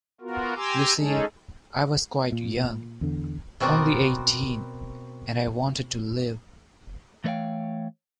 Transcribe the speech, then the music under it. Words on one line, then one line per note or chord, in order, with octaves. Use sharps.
You see, I was quite young — only eighteen — and I wanted to live.
B3 F4 F#4 A#4
G4 G#5 A#5 C6 D6 E6
G#3 C#4 D#4 G#4 A4
A#2
E2 D3
B2 C4 F#4 A#4 D5
E3 A3 B4 C#5 F5 G5